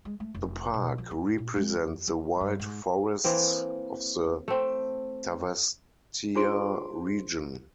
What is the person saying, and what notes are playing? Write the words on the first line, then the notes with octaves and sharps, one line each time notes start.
The park represents the wild forests of the Tavastia region.
G#3
A3
F1
B2
F3
C4
A#2
G#3
F2
F3
G2
G#2
E3 A#3 C4
A3 C4
D4 F4 G#4 C5 C6 D7